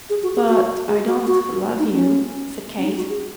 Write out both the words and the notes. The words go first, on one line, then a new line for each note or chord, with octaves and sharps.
"But I don't love you," said Kate.
G#4
F#4
G#4
F#4
G#4
F#4
F#4
D#4
C#4
C#4
D#4
F#4
G#4